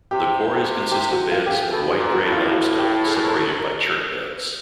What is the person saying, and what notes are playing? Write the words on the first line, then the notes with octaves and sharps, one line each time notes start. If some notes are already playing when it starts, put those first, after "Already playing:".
The quarries consist of beds of white-grey limestone separated by chert beds.
C3 G4
G4
F#4
F4
G4
G#4
B2 A4
G#4
A#2
F#4
A2
F4
F#4
G4
G#4
A#4
A4
A#4